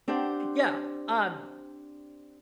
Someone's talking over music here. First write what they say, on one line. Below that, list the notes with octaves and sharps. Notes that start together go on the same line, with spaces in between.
Yeah, um
C4 D4 G4 C5 F#5